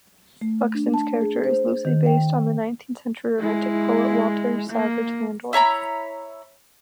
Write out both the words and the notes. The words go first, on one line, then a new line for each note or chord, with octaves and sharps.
Buxton's character is loosely based on the nineteenth century Romantic poet Walter Savage Landor.
A3
D4
A5
G#4
C5
D#3
G5
G#3 E4
A#3
E4 C#5 A#5 B5